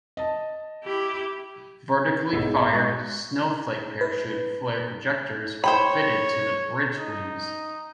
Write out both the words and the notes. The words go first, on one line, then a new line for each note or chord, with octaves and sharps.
Vertically fired "snowflake" parachute flare projectors were fitted to the bridge wings.
D#5 A5
E4 G4
B1 G#2 E6
G#3 F#4 C#6 F#6
B4
C5 C#5 G5 B5
D#4